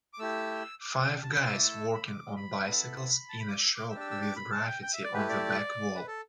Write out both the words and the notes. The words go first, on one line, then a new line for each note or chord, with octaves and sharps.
Five guys working on bicycles in a shop with graffiti on the back wall.
D6
A3 E4 G4 E6
D6
G5
A5
B5
A3 E4 A4 E6
D6
E6
B5
D6
B5
B3 E4 A4
A5
B5
D6
E6
D6
D4 G4 E6
E6
E6
D6
B5
A5
G5
G5
E5
D5
A3 E4 G4 B4
D5
B4
A4